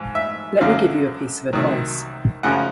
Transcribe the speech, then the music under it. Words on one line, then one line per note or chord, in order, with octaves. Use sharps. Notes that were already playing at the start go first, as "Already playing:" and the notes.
Let me give you a piece of advice.
Already playing: G#2 F3
E5
F#2 D3 F#3 F5
C2 C3 D#3 F#3
F#2 C#3 F3 F#5